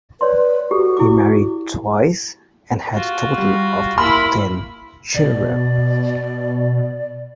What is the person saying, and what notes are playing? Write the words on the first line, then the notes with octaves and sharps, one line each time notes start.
He married twice and had a total of ten children.
B4 C#5 D5 C6
F#4 G4 A4
E4 G4 D6
F4 F#4
G3
A#3 E4 B5 C6 F6
B2 D5